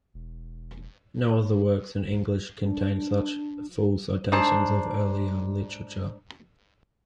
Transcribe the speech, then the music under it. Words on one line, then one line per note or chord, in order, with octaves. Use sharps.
No other works in English contain such full citations of earlier literature.
E1
D4
G#2 D4 C5 A5